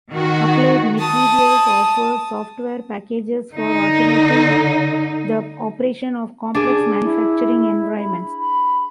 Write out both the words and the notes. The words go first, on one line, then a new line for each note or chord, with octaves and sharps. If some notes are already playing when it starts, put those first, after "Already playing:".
Applied Materials offers software packages for automating the operation of complex manufacturing environments.
D#3 F#4
A5 D#6
D3 D#4
D4 G#4
E4
B5
B5